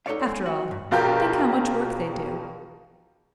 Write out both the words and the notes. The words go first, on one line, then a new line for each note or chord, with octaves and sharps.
After all, think how much work they do.
D#4 A4 B4 C#5 D5 F5
G#3
F#4
C#2 G2
A#1 B2 F4 G4 A#4 G6